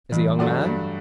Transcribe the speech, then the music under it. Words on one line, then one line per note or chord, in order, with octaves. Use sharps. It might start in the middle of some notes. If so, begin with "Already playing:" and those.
"As a young man?"
G2 E3
F#3 A3 D4 F#4
G2